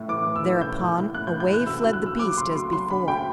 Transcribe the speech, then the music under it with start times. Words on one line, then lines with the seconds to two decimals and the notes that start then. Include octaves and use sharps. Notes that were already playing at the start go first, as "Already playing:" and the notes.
Thereupon away fled the beast as before.
Already playing: A2 A3
0.08 E3 D6
0.26 A3
0.36 E6
0.43 E3
0.61 A2 G6
0.78 A2
0.96 A2
1.14 A3 F#6
1.27 G6
1.31 A2
1.40 G6
1.49 E3 F#6
1.66 D2 E6
1.84 D2
1.93 F#6
2.03 D2 E6
2.19 F#3 D6
2.37 D2 C6
2.56 D2 C6
2.73 F#3 C6
2.90 D3 B5
3.08 D2 G5